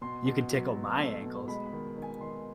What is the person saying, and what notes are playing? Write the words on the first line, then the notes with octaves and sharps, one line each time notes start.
You can tickle my ankles.
B2 C6
B2
F#3
F#3
A3
B2
G#3 B5
B5
D#3
D#3
G#5
D#3 C6